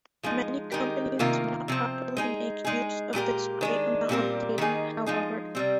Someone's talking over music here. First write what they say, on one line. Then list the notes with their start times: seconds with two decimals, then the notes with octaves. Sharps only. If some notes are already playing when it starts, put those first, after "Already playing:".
Many companies do not properly make use of this great amount of data, however.
0.23 F3 G#3 D#4
0.72 D#3 G#3 D#4 G4 A#4
1.19 C3 D#3 A#3 F4 A#4
1.68 C3 F3 C4
2.17 G#3 D#4 G#4
2.65 G#3 D#4 G#4
3.13 A#2 G#3 D4 G4 A#4
3.61 D#3 G#3 D4
4.09 A#2 G3 C4 G4 A#4
4.58 D#3 A#3 D#4 G#4
5.06 F3 G#3 D#4 G#4
5.55 C3 G3 C4